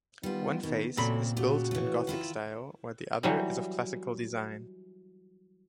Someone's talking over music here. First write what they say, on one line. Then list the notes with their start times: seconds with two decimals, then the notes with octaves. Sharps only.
One face is built in Gothic style, while the other is of Classical design.
0.23 D#3 G3 B3 F4
0.63 B2 D#3
0.97 A#2 C#3 F#3 A3 C4 B5
1.37 C#3 A3 F#4 G4
1.71 E3 A3
2.07 D#3 E4 F4
3.23 E3 F#3 G3